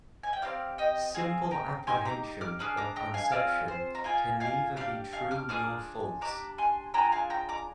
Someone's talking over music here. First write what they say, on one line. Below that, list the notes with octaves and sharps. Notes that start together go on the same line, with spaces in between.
Simple apprehension or conception can neither be true nor false.
G#5
G5
C4 G4 D5 F5
D#5 G5
C4 F4 G#4 F5 G#5
G5 A#5
A#3 D#4 G4 G#5 C6
A#5 D6
D6 F6
D4 G#4 D6 F6
A#5 D6
G5 A#5
F5 G#5
C4 F4 G#4 D5 F5
C5
A#5
A#3 F4 G#4 F5 G#5
F5 G#5
D4 G4 D5 F5
F5 G#5
D6 F6
D4 F4 G#4 D6 F6
D4 G4 A#5 D6
G#5 C6
D4 F4 G#4 G5 A#5
F5 G#5
G5 A#5
A#5 D6